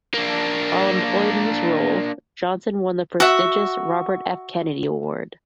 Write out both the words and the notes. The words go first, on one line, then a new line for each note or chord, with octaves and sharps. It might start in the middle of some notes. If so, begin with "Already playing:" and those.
While employed in this role, Johnson won the prestigious Robert F. Kennedy Award.
A#3 D4
F#4 E5